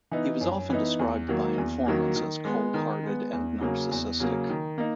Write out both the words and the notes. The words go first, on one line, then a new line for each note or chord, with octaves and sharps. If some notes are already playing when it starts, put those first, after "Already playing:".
He was often described by informants as cold-hearted and narcissistic.
E3 B3 D#4
F#2
E3 B3 D#4
E2
D#3 F#3 A#3
E2
D#3 F#3 A#3
D#3
G#3 B3
D#3
G#3 B3
E2
C#3 F#3 A#3
E2
C#3 F#3 A#3
D#3
A#3 D#4